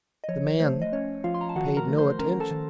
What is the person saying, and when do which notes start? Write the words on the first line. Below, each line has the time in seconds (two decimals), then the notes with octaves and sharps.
The man paid no attention.
0.24 D#5
0.29 F3 C#5
0.60 A3 C5
0.82 D#5
0.92 C#4 C#5
1.24 F3 F4 F5
1.34 C6
1.41 A#5
1.49 A5
1.55 D#3 F#4 F#5
1.77 A#4 A#5
1.88 A3
1.98 C5 C6
2.19 C#4 A#4 A#5
2.40 A4 A5
2.51 D#3